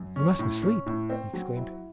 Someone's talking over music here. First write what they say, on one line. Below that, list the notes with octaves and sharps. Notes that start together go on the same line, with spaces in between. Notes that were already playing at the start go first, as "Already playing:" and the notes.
"You mustn't sleep!" he exclaimed.
Already playing: F#2
C#4
A2
C#4
A2
C4
F#3
E4